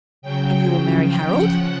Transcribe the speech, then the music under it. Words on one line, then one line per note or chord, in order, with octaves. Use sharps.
'And you will marry Harold?'
C#3 F#3 G5
C#3 F3
G5
C#3 F3 F#5